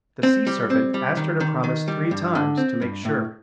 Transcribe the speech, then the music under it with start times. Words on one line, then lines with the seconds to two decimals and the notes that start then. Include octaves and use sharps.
The sea serpent asked her to promise three times to make sure.
0.23 C4
0.47 G3
0.70 C4
0.94 G3
1.17 D#3
1.40 D#3
1.64 D#3
1.88 G3
2.11 G2
2.35 D3
2.57 C4
2.82 G2
3.05 A2